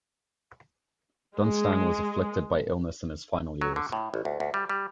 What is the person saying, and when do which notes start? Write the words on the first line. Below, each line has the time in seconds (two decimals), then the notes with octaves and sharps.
Dunstan was afflicted by illness in his final years.
1.36 G#3
3.61 F#3
3.76 D3
3.92 A2
4.14 A1
4.25 D2
4.40 D2
4.54 G3
4.69 G3